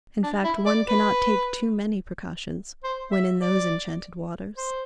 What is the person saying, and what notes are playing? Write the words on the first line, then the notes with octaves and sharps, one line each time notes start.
In fact, one cannot take too many precautions when in those enchanted waters.
D4
E4
D5
B4
C5
E5
D5
C5